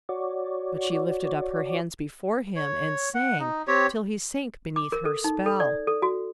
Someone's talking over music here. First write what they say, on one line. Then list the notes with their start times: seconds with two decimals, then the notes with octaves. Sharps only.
But she lifted up her hands before him, and sang, till he sank beneath her spell.
0.09 F#4 C#5 D5
2.56 C#5
3.14 F#5
3.40 D#4
3.67 C4 G4 C#5
4.76 D6
4.92 A#4
5.05 A4
5.24 D#4
5.46 A4
5.60 D5
5.87 A4
6.02 F#4